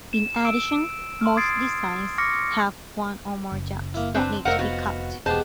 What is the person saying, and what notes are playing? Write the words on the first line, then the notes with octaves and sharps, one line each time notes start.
In addition, most designs have one or more jumps that need to be cut.
E7
E6 D7
C6 F6
D#6 G#6 A6 C7 D7
C#6 D6 F6 A#6 C#7
F#1
A#3 E4
C4 D4 B4 C5
F1 A3 D#4 A#4 C5 F5 F#5
B3 F#4
E1 G#3 B3 G4 C5 A5